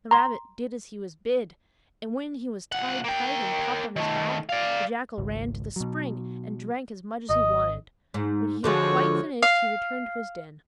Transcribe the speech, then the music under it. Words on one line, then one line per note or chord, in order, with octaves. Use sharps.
The rabbit did as he was bid, and when he was tied tight and popped on his back, the jackal ran to the spring and drank as much as he wanted. When he had quite finished he returned to his den.
A#5 C6
C#2 F#5
A#3 G5
D#3 A3
D5 F5
G#1 C#2
B2 F#3
G#1 D#5
G#2
D3 F3 G#3 F#4 C#5
F5